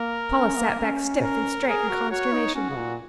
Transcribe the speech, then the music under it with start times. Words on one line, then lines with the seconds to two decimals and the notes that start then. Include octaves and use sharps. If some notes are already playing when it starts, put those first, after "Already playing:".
Paula sat back stiff and straight in consternation.
Already playing: A#3 A#4
0.36 C#4
0.58 A#3
0.80 C#4
1.23 A#4
1.67 G#4 A#4
1.89 F#4
2.11 F#4 C#5
2.33 D#4
2.55 C#4 F#4
2.70 C#3
2.77 A#2